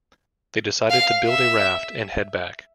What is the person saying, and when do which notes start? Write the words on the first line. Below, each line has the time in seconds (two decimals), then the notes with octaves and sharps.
They decided to build a raft and head back.
0.90 F5
1.28 E5